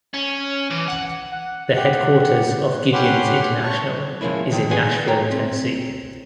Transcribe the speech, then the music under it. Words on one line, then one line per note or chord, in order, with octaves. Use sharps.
The headquarters of Gideons International is in Nashville, Tennessee.
C#4
E3
F#5
F#5
G4 F#5
C#4 G4 B4 F#5 C6 D6
C#5 A5 C#6
F3 G#3 A#3 C#4 E4
D3 D#3 F3
G#4 B4 D#5 F#5 G#5
C5 C#5 G5 A#5
C4